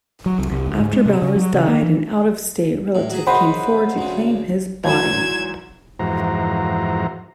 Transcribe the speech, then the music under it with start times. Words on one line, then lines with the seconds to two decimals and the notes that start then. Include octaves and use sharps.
After Bowers died, an out-of-state relative came forward to claim his body.
0.26 F#3
0.39 C2
0.51 C2
0.67 D2
0.80 G#2
0.93 G#3
1.06 C3
1.22 C#3
1.36 F#3
1.53 C#3
1.68 A#3
1.83 E3
2.95 A2
3.10 F#3 G#4
3.27 F#2 C#3 C5 D#5 F#5 B5
3.98 D2 C#3
4.84 E2 G#2 F#3 G#6 E7
5.99 F2 G#2 E3 F#4 C5 A#5